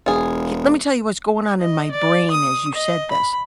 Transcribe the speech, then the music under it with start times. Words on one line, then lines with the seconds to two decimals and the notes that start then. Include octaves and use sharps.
h let me tell you what's going on in my brain as you said this:
0.06 E1 F4 G#4
1.60 D#5
1.92 D5
2.31 D#6
2.74 D#5
3.11 B5